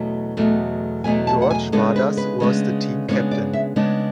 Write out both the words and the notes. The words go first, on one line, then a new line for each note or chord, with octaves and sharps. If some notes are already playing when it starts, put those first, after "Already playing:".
George Vadas was the team captain.
Already playing: E2 B2 F#3 A3
E2 B2 F#3 A3
E2 B2 F#3 A3 G#5
A5
F#5
G#5
C#3 G#3 B3 D4 A4
B4
B4
C#3 G#3 B3 D4
C#3 G#3 B3 D4 C#5
D5
E5
C#3 G#3 B3 D4